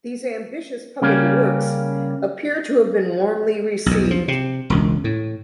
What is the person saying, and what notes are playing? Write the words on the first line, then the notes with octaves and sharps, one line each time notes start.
These ambitious public works appear to have been warmly received.
C#3 G3 A#3 C#4
B1 E2
F3
C3
E1 C#2
A2